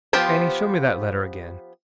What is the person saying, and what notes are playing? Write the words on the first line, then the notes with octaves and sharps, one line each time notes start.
Annie, show me that letter again.'
F3 B3 F4 G4 C5